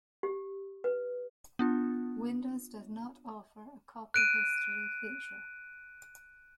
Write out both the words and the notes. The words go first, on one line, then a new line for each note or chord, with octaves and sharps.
Windows does not offer a copy history feature.
G4
B4
B3 D4 F4
F#6 D7 D#7